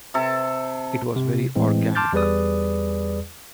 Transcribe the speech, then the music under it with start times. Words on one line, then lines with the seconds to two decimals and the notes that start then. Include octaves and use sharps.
It was very organic.
0.14 C3 A4
1.16 C3
1.56 A2 E3 G#3 C4
1.95 A5 C6 D6 F6 G6 A6
2.13 E2 G3 G#4 B4 D5 D#6